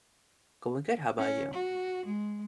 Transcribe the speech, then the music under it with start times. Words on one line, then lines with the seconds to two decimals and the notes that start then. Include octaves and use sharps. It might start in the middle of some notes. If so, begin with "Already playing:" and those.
Going good, how 'bout you?
1.18 C#4
1.53 F#4
2.06 G#3